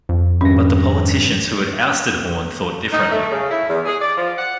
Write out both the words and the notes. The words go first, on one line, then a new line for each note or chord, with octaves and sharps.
But the politicians who had ousted Horn thought differently.
F2
G#1 G2 C#4 A#6
D#4
A3
C#3
E4
E2
G#4
D5
F3
F#5